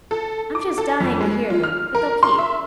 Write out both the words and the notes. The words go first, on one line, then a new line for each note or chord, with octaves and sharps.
I'm just dying to hear them, but they'll keep.
A4
D6
A4
F2
G#3
F4
F6
A#4
C6
E5